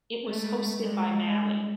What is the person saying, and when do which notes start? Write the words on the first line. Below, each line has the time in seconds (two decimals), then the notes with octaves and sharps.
It was hosted by Mali.
0.24 G#3 A3
0.78 G3 G#3